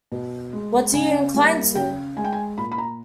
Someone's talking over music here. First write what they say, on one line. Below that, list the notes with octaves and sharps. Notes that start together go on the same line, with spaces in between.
What do you incline to?
B2
G#3
C#3 G#5
G3 A#3
C#3 G5
G#3 G#5
G5
G#5
A#2 B5
B5
A#5